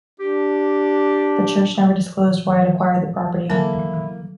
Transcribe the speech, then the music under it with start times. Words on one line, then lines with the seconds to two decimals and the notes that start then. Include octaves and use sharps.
The church never disclosed why it acquired the property.
0.20 D4 G4
3.50 D3 F#3 A#3 E4 A4 A#4 G#5